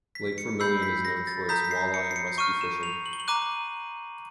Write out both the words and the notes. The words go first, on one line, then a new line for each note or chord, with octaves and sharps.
Lake Vermilion is known for its walleye and muskie fishing.
B6
C#7
B5 E6 G6 C7
B6
A#6
A6
A#5 D#6 G6 B6
B6
C7
C#7
C7
C#7
C#6 F6 D#7
E7
F7
F#7
G7
F#7
A#5 D6 F#6 D#7